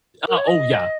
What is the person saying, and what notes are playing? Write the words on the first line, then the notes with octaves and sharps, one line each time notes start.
Uh, oh yeah,
A#4
C#5
D#5